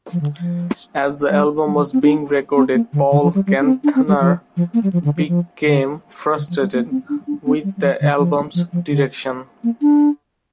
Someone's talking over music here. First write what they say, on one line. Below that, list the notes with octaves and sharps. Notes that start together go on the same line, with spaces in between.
As the album was being recorded, Paul Kantner became frustrated with the album's direction.
F3
D3
F3
G3
G3
F3
C4
D4
C4
A#3
D3
D3
F3
G3
G3
D4
C4
D4
C4
G3
F3
F3
A#3
G3
F3
D3
F3
F3
D3
D3
F3
G3
A#3
C4
D4
D4
C4
G3
G3
F3
D3
F3
F3
F3
D3
A#3
D4